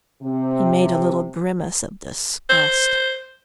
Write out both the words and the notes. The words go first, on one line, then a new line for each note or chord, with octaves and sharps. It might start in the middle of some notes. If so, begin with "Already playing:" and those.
He made a little grimace of disgust.
C3
C5